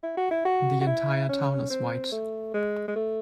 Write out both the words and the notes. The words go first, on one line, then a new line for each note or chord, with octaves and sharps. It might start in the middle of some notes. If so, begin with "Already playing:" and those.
The entire town is White.
E4
F#4
E4
F#4
F#4
E4
C#4
C4
A3
G#3
G#3
A3